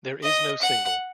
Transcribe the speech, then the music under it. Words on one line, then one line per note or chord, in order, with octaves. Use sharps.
There is no single.
D#5
F#5